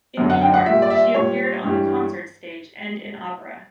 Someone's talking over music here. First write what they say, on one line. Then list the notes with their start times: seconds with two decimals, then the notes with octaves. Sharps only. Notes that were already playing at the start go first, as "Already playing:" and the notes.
In New York, she appeared on the concert stage and in opera.
0.17 F#2 D3 F#3
0.30 F#5
0.41 G5
0.54 F#5
0.66 A#2 G3 E5
0.82 D5
0.90 E5
1.15 A#2 G3 C#5
1.63 G2 E3 G3